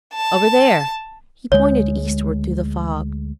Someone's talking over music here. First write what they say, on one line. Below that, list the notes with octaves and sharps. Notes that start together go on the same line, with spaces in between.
'Over there,' He pointed eastward through the fog.
A5
D2 G#3 C#5